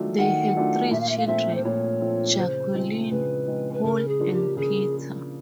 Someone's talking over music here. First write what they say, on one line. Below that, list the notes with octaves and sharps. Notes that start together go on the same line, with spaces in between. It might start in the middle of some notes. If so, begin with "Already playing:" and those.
They had three children: Jacqueline, Paul, and Peter.
Already playing: D#3 F#3 A3 D4 F4
D#3 F#5
F#3 A3 D4 F4
A#2 E5
F5
E5
F5
F3 A3 C4 F4 E5
C5
A#2 C#5
F3 A3 C4 F4
C#3 C5
F3 G#3 C4 D#4
C#3 B4
F3 G#3 C4 D#4
B4
C#3 A#4
G#4
F3 A#3 D4 F4
G4
C#3 G#4